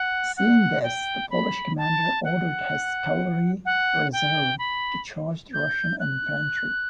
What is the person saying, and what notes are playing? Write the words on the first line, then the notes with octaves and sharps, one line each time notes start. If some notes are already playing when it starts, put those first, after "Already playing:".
Seeing this, the Polish commander ordered his cavalry reserve to charge the Russian infantry.
Already playing: F#5
F#5
G5
B5
A5
F#5
F#5
G5
B5
G6
F#6